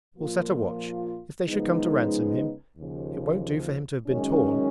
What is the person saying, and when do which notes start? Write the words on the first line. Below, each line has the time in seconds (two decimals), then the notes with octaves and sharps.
'We'll set a watch; if they should come to ransom him it won't do for him to have been torn.'
0.17 A#2 F3 A#3 F4
1.47 C#3 F3 G#3 B3 D#4
2.77 D#2 C#3 F3
4.07 F#2 D#3 G#3 C#4